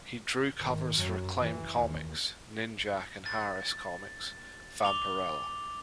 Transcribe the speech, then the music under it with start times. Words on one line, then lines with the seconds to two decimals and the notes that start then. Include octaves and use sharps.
He drew covers for Acclaim Comics' "Ninjak" and Harris Comics' "Vampirella".
0.59 G#1 D#3
0.97 F#2 F#3
1.40 E3
1.76 D#2
3.26 A6
4.83 D6 F7 G7